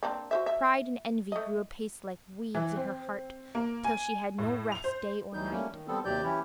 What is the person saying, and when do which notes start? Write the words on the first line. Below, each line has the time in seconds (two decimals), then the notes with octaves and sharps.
Pride and envy grew apace like weeds in her heart, till she had no rest day or night.
0.03 A#3 C4 D4
0.31 F#4 C5 E5
0.46 E5
1.32 A3 D#5
2.55 E3
2.76 C4
3.55 A#3
3.84 G#5
4.38 A2
4.72 F7
4.84 C5
5.33 D2 E3 F#3 G3 D#4 G6
5.52 G3 A3 A#3 C#4
5.72 D#3
5.87 G3 B3 C4 A4
6.05 D#2 C3 F#3 G4 D5 G6
6.23 E3 C#4 E4 G4